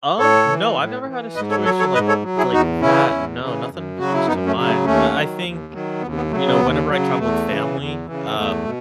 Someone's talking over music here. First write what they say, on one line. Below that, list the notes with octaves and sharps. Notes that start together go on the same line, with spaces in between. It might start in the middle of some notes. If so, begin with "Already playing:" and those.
Um, no, I've never had a situation like like that, no, nothing comes to mind. I I think, ooh you know, whenever I travel with family, um,
A2 A4 C#5
E3
A2
E3
G#2 B4 D#5
A4 C#5
F#3 A4 C#5
A4 C#5
G#2 B4 D#5
A4 C#5
F#3
E4 G#4
E2 D#4 F#4
C#3 E3 C#4 E4
E2
C#3 E3
F#2
C#3 F#3 F#4
E4
F#2 B3 D#4
A3 C#4
C#3 F#3
A3
D#2 A3 C#4
D#3 F#3
D#2
D#3 F#3
D#2 B3
B3
C#3 F#3 A3
B3
D#2
C#3 F#3
E2 A3
C#3 E3
E2
C#3 E3
E2 A3
B2